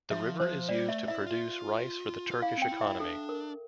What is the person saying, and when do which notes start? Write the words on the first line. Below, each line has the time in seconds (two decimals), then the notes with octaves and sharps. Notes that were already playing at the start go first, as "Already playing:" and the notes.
The river is used to produce rice for the Turkish economy.
0.11 F3 E5
0.40 F3 C5
0.69 G3 D5
0.88 A3 E5
1.07 E4 E5
1.26 F4
2.31 F4
2.42 E4 F5
2.57 C4 G5
2.72 E4
2.81 E5
2.87 E4
3.00 D4 A4
3.29 A#4